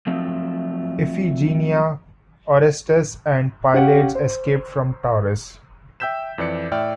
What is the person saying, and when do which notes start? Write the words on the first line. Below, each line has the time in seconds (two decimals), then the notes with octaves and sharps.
Iphigeneia, Orestes, and Pylades escaped from Tauris.
0.07 F3 F#3 A3 C4
3.73 C#4 G4 F5 F#5
4.15 C5
6.00 E5 G5 E6 G6 B6 E7
6.38 F2 E3 D5 C#7
6.72 A2 D5 E5 G5 F6